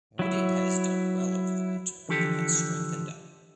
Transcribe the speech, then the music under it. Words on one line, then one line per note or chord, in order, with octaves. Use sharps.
Wooded has done well over the winter and has strengthened up.
F#3 E4
D3 E3 F3 G4 A4